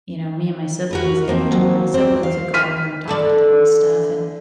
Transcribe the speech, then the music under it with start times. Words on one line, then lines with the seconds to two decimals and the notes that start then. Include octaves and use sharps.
you know, me and my siblings' age, and my siblings would go over and talk to them and stuff and
0.91 F#4 A#4 B4
1.28 F3 A#3 C4
1.52 F#3
1.94 C4 D5
2.23 F5
2.54 F6 B6 D#7
3.08 D3 A4 D5